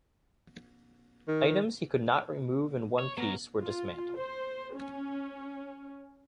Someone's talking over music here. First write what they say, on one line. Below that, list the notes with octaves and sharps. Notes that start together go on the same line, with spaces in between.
Items he could not remove in one piece were dismantled.
D#3
C#5
F#3 B3 A#4
F4
C5
C#4